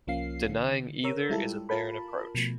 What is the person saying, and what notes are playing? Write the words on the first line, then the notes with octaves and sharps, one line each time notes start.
Denying either is a barren approach.
C2 F3 A#3 C#4 F5 C7
D3
A#4 C5 C#5 A#5 E6
G3 G#3 E4 F4 G4 A4
F4 A#4 A5 B5
B2 F3 A3